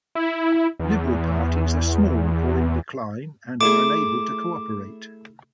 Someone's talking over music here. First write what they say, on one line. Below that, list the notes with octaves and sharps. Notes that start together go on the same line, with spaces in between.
Liberal parties are small or in decline and are unable to cooperate.
E4
E2
A3 E4 G#4 D6